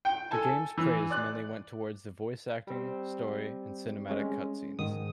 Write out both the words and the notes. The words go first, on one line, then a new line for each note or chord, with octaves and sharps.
The game's praise mainly went towards the voice acting, story, and cinematic cutscenes.
G5
A4 G#5 A5
E3
D5 F#6
G3 C4
G#3 C#4
G#2 D#3 D#6